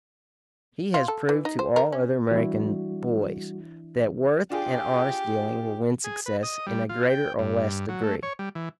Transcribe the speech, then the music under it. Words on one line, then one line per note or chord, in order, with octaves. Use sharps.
He has proved to all other American boys that worth and honest dealing will win success, in a greater or less degree.
F4
A4
E3
D#4
C5
A#4
C#4
E3 G3 D4 E4 F#4
D4 F4 G4 G#4
G#4
B4
D#5
G3
F4
G5
G2
F#3
A3
C#5
G3
E3